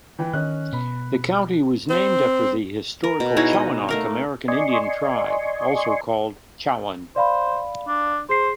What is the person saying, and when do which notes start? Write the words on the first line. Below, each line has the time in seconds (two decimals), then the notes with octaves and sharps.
The county was named after the historical Chowanoc American Indian tribe, also called Chowan.
0.19 E3 B4 G5
0.33 D#3 C#4 D#5 F#6
0.73 B2 B5
1.90 C4
3.04 A#4
3.20 B2
3.37 D#4 E4 G#4 C#5
3.53 D#5
3.89 A3 A#4 F5
4.48 D5 D#5 G#5 C6 C#6
7.16 C5 D5 F5 B5
7.87 D4
8.29 G#4 C5 C7